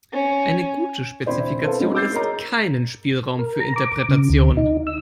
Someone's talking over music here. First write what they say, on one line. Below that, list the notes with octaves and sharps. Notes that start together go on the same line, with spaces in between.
Eine gute Spezifikation lässt keinen Spielraum für Interpretationen.
C#4
E1 C4 E4 C5 D5
A4 B4 C5 F5 A5
G#3 C4 C#4 D#4 E4 F#4
D6 E6 G6 A6 C7
G#4 A#4 C#5 D#5 A#5
A#4
A#5
D6
C#3
D2
D#4
E6